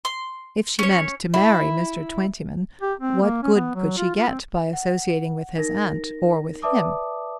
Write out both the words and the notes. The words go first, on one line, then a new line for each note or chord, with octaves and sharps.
If she meant to marry Mr. Twentyman what good could she get by associating with his aunt or with him?
C6
C#4 C#5
E4
G4
C4
A#3
C#4
B3
F#3
F4
F4
C4
F#5
D#4 A#4 A#6
B4 D5 E5 A5 D6 D#6